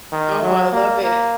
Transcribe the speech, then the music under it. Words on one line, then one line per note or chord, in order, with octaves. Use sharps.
Oh, I love it.
D#3
F#3
A#3
A#3